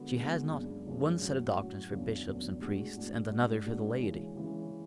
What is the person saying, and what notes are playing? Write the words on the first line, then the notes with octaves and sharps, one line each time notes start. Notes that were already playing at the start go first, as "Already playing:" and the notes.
She has not one set of doctrines for Bishops and Priests, and another for the laity.
Already playing: D3 G#3 B3 F#4
D3 G#3 B3 F#4
F#2 C#3 G#3 D4
F#2 C#3 G#3 D4
A2 F#3 C#4 F#4
A2 F#3 C#4 F#4
E2 C#3 F#3 A3 D4
E2 C#3 F#3 A3 D4
A2 G#3 D4 F#4
A2 G#3 D4 F#4
G#2 G#3 D4 F#4
G#2 G#3 D4 F#4
C#3 E3 G#3 C#4
C#3 E3 G#3 C#4